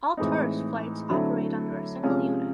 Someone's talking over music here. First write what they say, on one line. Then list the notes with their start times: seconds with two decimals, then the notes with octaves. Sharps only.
All tourist flights operate under a single unit.
0.17 A2 E3 G#3 C4 D#4
1.10 D3 F#3 A3 C4 E4
2.03 C3 F3 G#3 C#4